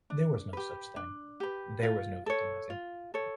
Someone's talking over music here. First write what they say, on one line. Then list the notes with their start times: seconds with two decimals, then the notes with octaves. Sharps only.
There was no such thing: there was no victimizing.
0.10 D4
0.53 G4 B4
0.96 D4
1.40 G4 B4
1.83 F4
2.26 A4 C#5
2.70 F4
3.14 A4 C#5